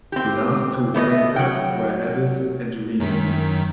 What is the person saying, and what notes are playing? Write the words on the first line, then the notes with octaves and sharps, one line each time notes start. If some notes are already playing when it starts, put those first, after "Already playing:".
The last two wrestlers were Abyss and Rhino.
C4 G4
A3 B3 C#5 D#5
F#3 G5
F#2 D#3 B6